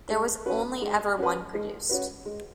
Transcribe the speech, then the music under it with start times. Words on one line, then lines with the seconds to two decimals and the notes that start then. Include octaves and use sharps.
There was only ever one produced.
0.10 G#3
0.46 C#4 F#4 B4
0.82 G#3
1.18 C#4 F#4 B4
1.54 G#3
1.89 C#4 F#4 B4
2.26 G#3